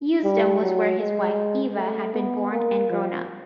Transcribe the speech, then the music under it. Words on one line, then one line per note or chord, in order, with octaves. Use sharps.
Usedom was where his wife Eva had been born and grown up.
G3
F#3
G#3
A3
B3
A#3
F3